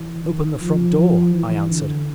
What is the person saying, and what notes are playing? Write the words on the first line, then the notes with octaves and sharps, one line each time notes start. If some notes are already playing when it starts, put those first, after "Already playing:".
"Open the front door," I answered.
Already playing: E3
D#3
F3
F3
E3
D3